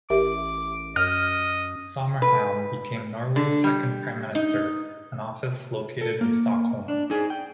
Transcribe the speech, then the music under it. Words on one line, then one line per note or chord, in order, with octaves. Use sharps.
Sommerhielm became Norway's second prime minister, an office located in Stockholm.
A1 G4 A#4 E5 D6
F#2 D#5 F6
B4
D3
G3
D#4
A4
A#3
D4
D#4 G#4
G5